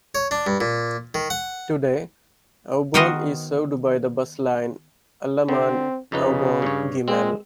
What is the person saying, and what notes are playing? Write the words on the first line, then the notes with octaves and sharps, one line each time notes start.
Today, Aubonne is served by the bus line Allaman - Aubonne - Gimel.
C#5
D4
G2
A#2
D#3
F#5
D#3 B3 F#4 A#4 C5 D#5
D3 C4
F2 C#3 D#4 B4
G2 C#5
G#3 C4